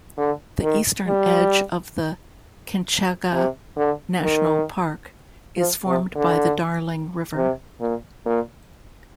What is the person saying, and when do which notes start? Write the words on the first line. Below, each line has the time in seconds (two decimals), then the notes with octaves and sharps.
The eastern edge of the Kinchega National Park is formed by the Darling River.
0.18 D3
0.63 D#3
1.07 G3
3.33 C3
3.77 D3
4.22 D#3
5.57 F3
5.87 C3
6.16 D3
7.36 C3
7.81 A#2
8.25 A#2